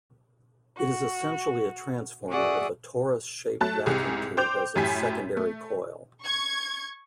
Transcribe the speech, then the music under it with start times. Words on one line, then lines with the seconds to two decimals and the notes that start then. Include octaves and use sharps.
It is essentially a transformer with a torus-shaped vacuum tube as its secondary coil.
0.76 F#4
2.29 F#4 G#4 D5 E5 F#5 D#6
3.61 F#3 A3 A5 F#6
3.86 C2 G#2 G4 G#4
4.37 C5 G5 D6 G6 F7
4.76 F#2 A2 G4 G#5 B6
5.37 A3
6.23 C#6 G#6